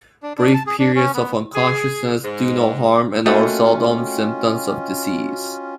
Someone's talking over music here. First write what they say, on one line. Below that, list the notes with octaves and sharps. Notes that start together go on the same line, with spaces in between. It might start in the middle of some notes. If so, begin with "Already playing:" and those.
Brief periods of unconsciousness do no harm and are seldom symptoms of disease.
D4
D4
A5
G#4
D4
C#4
B3
G#4
G#2
A3 A#3 C#4 F4 F#4 D#5 G5